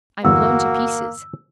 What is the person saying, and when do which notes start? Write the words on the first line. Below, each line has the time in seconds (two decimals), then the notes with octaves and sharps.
'I'm blown to pieces.
0.25 G1 E2 A#3 F#4 E6